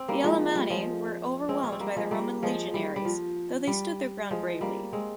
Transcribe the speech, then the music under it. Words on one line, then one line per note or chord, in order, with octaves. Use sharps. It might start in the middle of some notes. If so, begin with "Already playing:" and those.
The Alemanni were overwhelmed by the Roman legionaries, though they stood their ground bravely.
Already playing: C4
G3 A#3
F3 G#3
G3
F3 G#3
G#3 C4
C#4
C4
G3 A#3
F3 G#3
G3 A#3
F3 G#3
G3
G3
F3
G3
F3 G#3
G3 A#3
G#3 C4